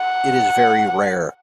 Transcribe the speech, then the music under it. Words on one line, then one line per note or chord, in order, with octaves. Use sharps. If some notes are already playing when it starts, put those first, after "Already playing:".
It is very rare.
Already playing: F#5